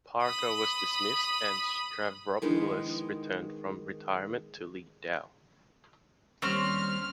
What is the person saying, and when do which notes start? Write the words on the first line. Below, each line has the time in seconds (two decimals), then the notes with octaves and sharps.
Parker was dismissed and Stavropoulos returned from retirement to lead Dow.
0.22 B5 D#6
2.42 D#3 F3 G#3 B3 D4 E4
6.42 D#2 G3 C4 C#4 F6